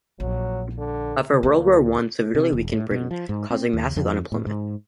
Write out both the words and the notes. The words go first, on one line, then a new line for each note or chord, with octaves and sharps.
However, World War One severely weakened Britain, causing massive unemployment.
A#1 F#3
D3
D2 A#2
C3
E1
A2
B2
F3
G#2
C4
D#2
F2
A2
G#2